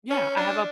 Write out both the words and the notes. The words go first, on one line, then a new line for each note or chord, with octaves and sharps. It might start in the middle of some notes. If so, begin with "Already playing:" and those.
Yeah, I have a
C#4
D4